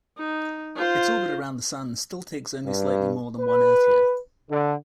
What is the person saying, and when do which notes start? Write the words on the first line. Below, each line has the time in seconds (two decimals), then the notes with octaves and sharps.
Its orbit around the Sun still takes only slightly more than one Earth year.
0.17 D#4
0.76 F4 C5
2.65 G2
3.39 B4
4.50 D3